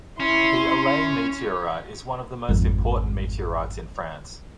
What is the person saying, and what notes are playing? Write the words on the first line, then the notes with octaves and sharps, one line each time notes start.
The Alais meteorite is one of the most important meteorites in France.
C#4 E4 C6
G#1 F2